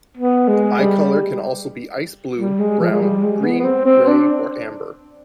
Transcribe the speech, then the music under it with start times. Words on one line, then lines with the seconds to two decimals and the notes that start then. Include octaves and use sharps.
Eye color can also be ice blue, brown, green, gray, or amber.
0.17 B3
0.48 G#3
0.79 G3
2.38 G3
2.59 G#3
2.80 F3
2.91 G#3
3.01 G3
3.22 G#3
3.43 B3
3.59 B3
3.64 C4
3.85 C4
4.07 D4